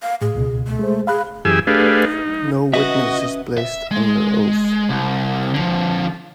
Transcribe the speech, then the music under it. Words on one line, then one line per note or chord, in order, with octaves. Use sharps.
No witness is placed under oath.
F5
A2 G#4
C#2 B2
A3
G#3 G#4 C5
G#4 F5 B5 F#6
F#2 E3 G4 G#4 G#5 E6
A3 D4 G4 G#4 B4 F5
D#4
C#4 F#4 B4 D#5 E5
E5
G#3
C2
D3 F3